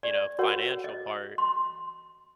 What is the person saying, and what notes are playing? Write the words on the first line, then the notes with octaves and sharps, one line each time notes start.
you know, financial part
D5
F#4 A#4 C#5 F#5
D#5
C6